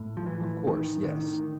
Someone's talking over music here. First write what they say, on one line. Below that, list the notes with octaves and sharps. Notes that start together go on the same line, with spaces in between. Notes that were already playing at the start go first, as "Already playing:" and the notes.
Of course, yes.
Already playing: A2
F3
E3
A2 D#3
D3
D#3